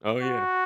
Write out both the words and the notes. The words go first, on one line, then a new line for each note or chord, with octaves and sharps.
Oh, yeah.
F#4